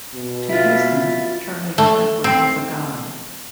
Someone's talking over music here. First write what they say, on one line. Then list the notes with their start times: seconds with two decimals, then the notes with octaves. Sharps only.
To Huston, Charlie Chaplin was a god.
0.15 B2
0.49 E4 F4
1.78 A3
2.24 C4